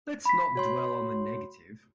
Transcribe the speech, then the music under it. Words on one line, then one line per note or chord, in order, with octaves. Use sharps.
Let's not dwell on the negative.
B5 B6
F#4 C#5 C6